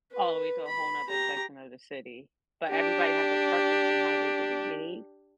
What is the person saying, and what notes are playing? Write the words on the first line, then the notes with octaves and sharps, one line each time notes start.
all the way to a whole 'nother section of the city. But, everybody has a preference in how they get it made,
B4
B5
G4 A#5
D4 G4